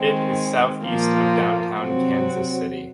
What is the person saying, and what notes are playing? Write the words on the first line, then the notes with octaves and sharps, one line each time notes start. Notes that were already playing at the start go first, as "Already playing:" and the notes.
It is southeast of downtown Kansas City.
Already playing: D#3 G#3 C4
A#2 F3 A#3 F4
C3 F#3 C4 F#4